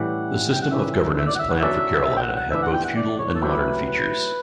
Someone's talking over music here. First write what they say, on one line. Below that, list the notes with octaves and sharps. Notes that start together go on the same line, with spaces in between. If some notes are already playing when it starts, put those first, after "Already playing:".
The system of governance planned for Carolina had both feudal and modern features.
Already playing: A2 E3 G3 C#4 G4 F#5
G5
F#5
C#3 E3 G3 C#4 G4 E5
E5
D5
F#5
E5
F#5
F#3 C#4 F#4 A4 D5 E5
E5
G5
F#5
F#5
A2 E3 B3 D4 E5
F#5
G5
F#5
D5
C#5
A4
F#3 A3 E4 G4 B4
B4